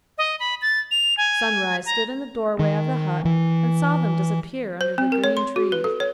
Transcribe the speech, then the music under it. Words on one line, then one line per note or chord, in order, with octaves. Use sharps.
Sunrise stood in the doorway of the hut, and saw them disappear under the green trees.
D#5
B5
A6
F7
G#5
A#5
D#3
E3
C5
C4
A#4
C#5
C6
F#4
B4
A4
C#5